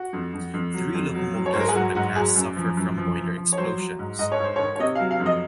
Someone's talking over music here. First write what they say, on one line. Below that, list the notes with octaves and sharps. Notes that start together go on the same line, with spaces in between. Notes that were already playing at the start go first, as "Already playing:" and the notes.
Three locomotives from the class suffered from boiler explosions.
Already playing: F#4
F2
F2
F2
F#3
F2
F#3
F#3
C#5
C5
G#2
A#4
G#4
F#3 F#4
G#2 F#4
F#3 G#4
F#2
F3
F#2
F3
F3
F3
C#5
F#3 C5
F#3
G#2
G#2 D#5
C#5
G#2 C5
C#5
D#3
C#5
C3 D#5
F5
F#3
F5
F2
D#5